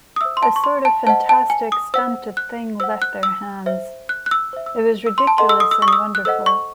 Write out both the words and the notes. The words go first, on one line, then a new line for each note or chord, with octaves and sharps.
A sort of fantastic stunted thing left their hands; it was ridiculous and wonderful.
D#6
C5 E5 E6
C6
A5
C#6
C6
A5
C5 D#5 F#5 A5
A5
G#5
D#6
C5 F#5 E6
F#6
C5 F#5 E6
F#6
E6
C5 E5
F#6
F#6
E6
C5 E5
E6
E6
C6
A5
A4 D#5 F#5 C6
E6
D#6
E6
C#6
D#6
E6
F#6
A4 C5 D#5 F#5 E6
C#6